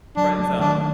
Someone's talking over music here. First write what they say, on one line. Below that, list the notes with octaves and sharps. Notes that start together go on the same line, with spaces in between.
Friend zone.
F#3 D4
A3
D#3 D4